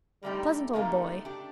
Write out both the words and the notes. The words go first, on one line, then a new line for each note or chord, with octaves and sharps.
Pleasant old boy.
F2 D3 G3 A3 D#4 G4
F2 D3 A3 A#3 D#4 G4
A3 D4 G4